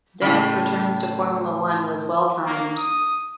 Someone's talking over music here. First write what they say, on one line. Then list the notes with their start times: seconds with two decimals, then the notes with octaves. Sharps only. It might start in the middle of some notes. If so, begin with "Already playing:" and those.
Dennis's return to Formula One was well-timed.
0.22 A2 C#3
2.46 A#3
2.77 D#6